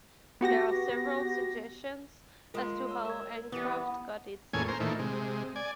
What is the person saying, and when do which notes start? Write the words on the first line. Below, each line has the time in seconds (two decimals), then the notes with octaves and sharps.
There are several suggestions as to how Ancroft got its name.
0.41 B3 F#4 G4 A#6
2.54 G#3 A#3 F4 A#4 C6
2.89 C#5 E6
3.05 A#4 G#6
3.52 E3 G3 B3 D#6
4.53 E2 A#2 A3 C#4 G#4 G#5
4.68 A#4 C5
4.80 A#2 D#3 E3 A3
4.99 C3 G#3
5.56 D5 G#5